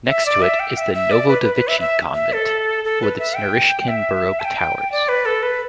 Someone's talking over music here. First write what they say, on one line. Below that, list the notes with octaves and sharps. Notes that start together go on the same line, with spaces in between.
Next to it is the Novodevichy Convent, with its Naryshkin Baroque towers.
E5
D5
E5
G5
E5
E5
D5
B4
B4
B4
E5
E5
E5
A4
A4
B4
E5
G5
E5
A5
G5
D5
B4
A4
B4